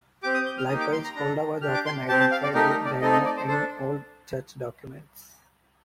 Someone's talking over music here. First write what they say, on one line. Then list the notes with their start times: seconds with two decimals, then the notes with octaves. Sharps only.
Likewise, Holda was often identified with Diana in old church documents.
0.23 C4 G4 D6
0.34 D#6
0.46 G6
0.58 F6
0.69 A#3 D#4 G4 D#6
0.80 D6
0.92 C6
1.04 A#5
1.16 D4 A4 A#5
1.61 D4 G4 F6
1.74 D6
1.86 C6
2.08 G4 A5
2.11 C4
2.20 A5
2.31 F5
2.43 D5
2.54 A3 D#4 G4 A#4
2.70 A#4
2.85 D5
3.01 A3 C4 D#4 A4 D#5
3.12 D#5
3.25 D5
3.37 C5
3.47 A4 C5
3.51 D4